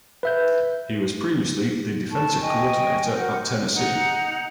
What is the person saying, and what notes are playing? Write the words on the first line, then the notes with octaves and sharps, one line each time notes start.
He was previously the defensive coordinator at Tennessee.
B4 E5 G6
A4 A5 C#6
D#5 G5 G#5 C#6
F#4 A#4 F#5 G6
D#4 F#5 A#5